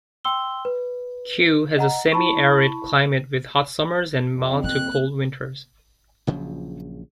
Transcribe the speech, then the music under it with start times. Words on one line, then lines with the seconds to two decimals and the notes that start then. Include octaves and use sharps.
Cue has a semi-arid climate with hot summers and mild to cool winters.
0.24 G5 C6 E6 G7
0.65 B4
1.77 D#5 F#5 A#5
2.12 E4 A5 B5 C#6
4.32 F2
4.64 A#3 C4 F#6
6.27 A#1 C#3 F3 F#3